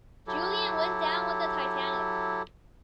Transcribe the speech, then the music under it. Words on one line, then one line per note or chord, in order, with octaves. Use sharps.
Julian went down with the "Titanic".
F#3 E4 G4 A4